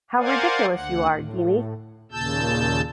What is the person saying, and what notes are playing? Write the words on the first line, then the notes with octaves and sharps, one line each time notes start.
How ridiculous you are, Dimi!
A#4 C5 D5 F5 F#5 G#5
D2 F#5
A2
D#2 A#2 C#3 A5 E6 G6